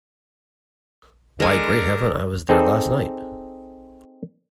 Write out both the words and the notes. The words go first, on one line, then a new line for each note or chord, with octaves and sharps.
Why, great heaven, I was there last night!
D3 G#3 A#4 G#5
C4 D#4 G#4 A4 D5